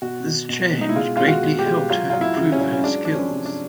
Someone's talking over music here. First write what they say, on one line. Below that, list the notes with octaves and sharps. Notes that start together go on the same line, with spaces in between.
This Change greatly helped her improve her skills.
B2 F#4
B2
B2
B2
D#4
E4
G#3 F4
G#3 F4
F#4
B2
G4
G#3
F#3 F4
F#3 F4
E4
C#3
C#4
F#3
C#4
G#3 D4
F3 D4
C#4
C3
D4